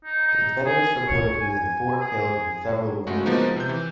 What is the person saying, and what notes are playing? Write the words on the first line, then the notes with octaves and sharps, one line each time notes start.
The Confederates reported losing four killed and several wounded.
D#4
D#4
G#4
C#5
G#5
G#4
C#3 G#3 A3 F#4
F3 G#3 A#3 B3 D#4 B4
C3 G6
E3